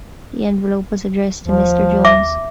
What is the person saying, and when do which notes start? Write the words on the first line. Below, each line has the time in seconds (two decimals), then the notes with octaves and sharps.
The envelope was addressed to Mr Jones.
1.45 D#2 F3
2.05 E5 D6